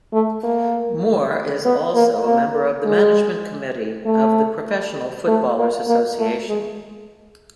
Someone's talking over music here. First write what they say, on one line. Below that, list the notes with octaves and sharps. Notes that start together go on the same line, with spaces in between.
Moore is also a member of the management committee of the Professional Footballers' Association.
A3
A#3
B3
A#3
A#3
G#3
A3
A3
A#3
A#3
A3
G#3